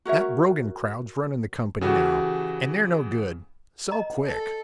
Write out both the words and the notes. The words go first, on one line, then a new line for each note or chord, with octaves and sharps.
That Brogan crowd's runnin' the company now, and they're no good, sell quick.'
F#4 A#4 C#5 E5
C#3 E3 F#4 G4 A4
D#5 A#5
A4